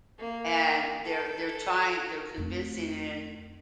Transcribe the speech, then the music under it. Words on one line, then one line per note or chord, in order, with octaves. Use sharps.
and they're they're trying they're convincing in,
A#3
A4
F2 A3